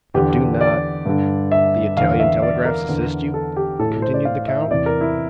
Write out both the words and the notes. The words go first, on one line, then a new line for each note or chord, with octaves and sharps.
"But do not the Italian telegraphs assist you?" continued the count.
E2 D3 G4
D5
G2 D3
E5
E2 D3 F5
E5
D5
A#4
E2 D3
A4
G4
A2 E3 A4
A4
C5
D5
F5
E5
E2 C3 E3 D5
A#4
E4